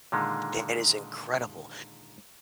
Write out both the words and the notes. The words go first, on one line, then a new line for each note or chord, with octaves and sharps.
That is incredible.
A#2 D3 D#3 G#3